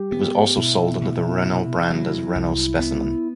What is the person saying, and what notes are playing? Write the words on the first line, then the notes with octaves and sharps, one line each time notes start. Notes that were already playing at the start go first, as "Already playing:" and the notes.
It was also sold under the Renault brand as Renault Specimen.
Already playing: G3 G4
B3
B2 E4
B2
C3
F#3
C2
B3